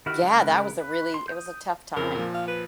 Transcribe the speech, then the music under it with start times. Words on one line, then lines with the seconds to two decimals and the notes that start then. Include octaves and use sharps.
Yeah, that was a really it was a tough time.
0.06 D#3 E4 F#4 G4 F6
0.23 C#3 G#3 A#4 B4
0.80 B4
1.14 C6
1.28 D#6 G6
1.96 F2 C#3 C4 A#4
2.15 A#2 F3
2.34 F5
2.48 B4